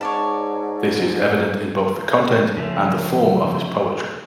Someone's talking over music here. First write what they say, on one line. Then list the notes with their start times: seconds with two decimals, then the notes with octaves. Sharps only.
This is evident in both the content and the form of his poetry.
0.01 G#2 C#5 D5 A5
2.57 C#3 F3 A3